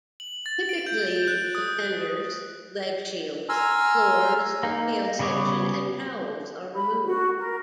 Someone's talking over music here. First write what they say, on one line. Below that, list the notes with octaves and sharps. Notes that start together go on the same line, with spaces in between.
Typically, the fenders, leg shields, floors, tail section and cowls are removed.
F#7
A6
D7
G6
F#6
D#6
G#5 A#5 C6 E6 F6
A#3 D#4
C#3 G3 B3 C#5 D6
B5
F#4
A#4